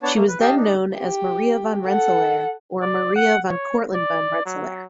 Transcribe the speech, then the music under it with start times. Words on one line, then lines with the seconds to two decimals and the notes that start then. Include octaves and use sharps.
She was then known as Maria van Rensselaer or Maria van Cortland van Rensselaer.
0.03 B3 D4 C#5 A5
0.15 A3 A#3
0.28 B4
0.41 G4 D#5 F5 G5 A5
0.55 D4 D#4
0.98 G4
1.87 A4 F#5
2.81 D5
3.15 F#5
3.50 C#5
3.94 D5
4.46 F#3